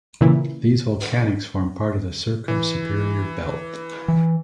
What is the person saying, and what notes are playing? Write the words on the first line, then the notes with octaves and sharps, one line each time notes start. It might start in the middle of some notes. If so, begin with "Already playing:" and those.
These volcanics form part of the Circum-Superior Belt.
A#2 C#3 E3 E4
E3
E3